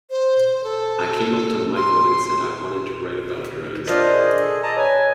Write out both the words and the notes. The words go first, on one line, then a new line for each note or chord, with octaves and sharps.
I came up to Michael and said I wanted to write about drugs.
C5
A4
C6
D4 F4 A#4 C5 D5 D#5
G#4
A4
D5 D#5 A5 A#5
B4 C#5 G#5